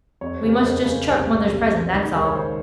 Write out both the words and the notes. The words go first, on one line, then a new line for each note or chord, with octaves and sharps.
We must just chuck mother's present, that's all.
F2 C#5
C5
C#3
A#4
F2 C5
C#3
C2 C5
A#2
C2
A#2
C#2 D#4
D#4
C#2 A#4
C#5
D#3 C5